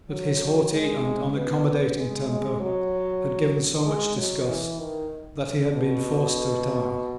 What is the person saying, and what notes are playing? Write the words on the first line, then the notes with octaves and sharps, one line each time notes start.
But his haughty and unaccommodating temper had given so much disgust that he had been forced to retire.
F#3
G#3
B3
G#3
G#3
F#3
G#3
F#3
E3
D#3
B2